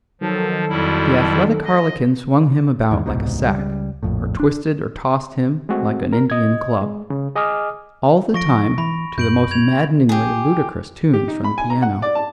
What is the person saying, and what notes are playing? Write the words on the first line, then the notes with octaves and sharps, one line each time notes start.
The athletic harlequin swung him about like a sack or twisted or tossed him like an Indian club; all the time to the most maddeningly ludicrous tunes from the piano.
D#3 F3 F#3 A4
F2 G3 E4
D#5
E2 G#2 D#3
D#1 C2 G#2 B2
C#2 G3
A#1 F2 A2
D4
G#3 A3 C4 F#4
A#4
D#5 G#6
G#3
C#3
G#4 D#5 G#5 D6 D#6 F6
F3 C#6 A#6 D7
E3 B5
F#2 G6 D7 F#7
G#6 F7
G4 G#4
G4
D#4
B5
G#5
A#5
F#5
D5
A5